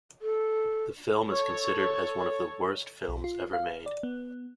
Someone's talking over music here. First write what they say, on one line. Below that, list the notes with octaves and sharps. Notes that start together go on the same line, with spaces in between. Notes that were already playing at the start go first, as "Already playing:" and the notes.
The film is considered as one of the worst films ever made.
A4
A4 C#5
B1
F4
F5
D5
B3